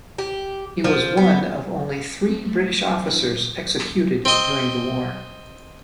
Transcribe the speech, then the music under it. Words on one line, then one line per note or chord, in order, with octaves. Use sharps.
He was one of only three British officers executed during the war.
G4
F3
B3
C4
A3
E3 D4 E4
C4 D#5